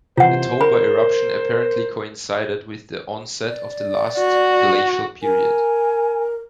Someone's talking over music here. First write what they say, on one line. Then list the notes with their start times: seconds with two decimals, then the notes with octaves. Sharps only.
The Toba eruption apparently coincided with the onset of the last glacial period.
0.18 C3 E3 F4 C5 F#5
0.61 A#4 B5
3.48 D5
4.18 F#4
5.23 A#4 G#5